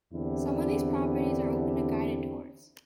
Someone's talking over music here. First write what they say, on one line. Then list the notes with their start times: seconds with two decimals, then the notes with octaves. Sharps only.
Some of these properties are open to guided tours.
0.13 E2 D3 C4 D4 E4 G4